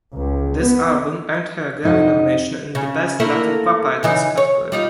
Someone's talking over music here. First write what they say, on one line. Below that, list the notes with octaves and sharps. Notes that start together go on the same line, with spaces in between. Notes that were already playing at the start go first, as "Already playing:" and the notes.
This album earned her a Grammy nomination in the Best Latin Pop artist category.
C#2
B3
F2 C3 D#4 D#5 F#5
C#3
A3 A#3 E4
C#3 E3 D#4
C#5
G3 D#4 F4